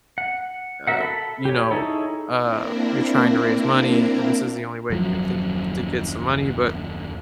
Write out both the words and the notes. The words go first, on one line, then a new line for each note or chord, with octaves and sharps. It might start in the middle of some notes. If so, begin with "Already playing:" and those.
uh, you know, uh, you're trying to raise money and this is the only way you can think to get some money, but,
F#5
F#4 A#4 E5 F#5
A4 B5
G4 C#5
D#4 E4 G#4 A4 C#5
A#3 C4 D4 E4 A#4
D#1 F#2 F3 F#3